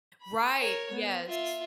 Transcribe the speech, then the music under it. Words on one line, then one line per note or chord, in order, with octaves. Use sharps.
Right. Yes.
B5
A#4 C#5
B3
F4 E5